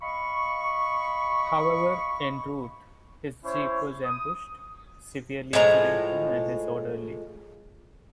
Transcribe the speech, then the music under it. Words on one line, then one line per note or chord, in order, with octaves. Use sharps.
However en route, his jeep was ambushed, severely injuring him and his orderly.
D#5 F5 B5 C#6
C#4 E4 C5 C#5
D#6
A2 F3 G#3 A#5